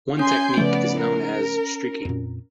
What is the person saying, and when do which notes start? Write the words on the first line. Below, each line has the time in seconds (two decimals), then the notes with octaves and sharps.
One technique is known as "streaking".
0.19 C#4 G#5 C6 G6
0.57 C#3 F3 A3 B3 D5
0.98 A#4
2.05 F2 A#2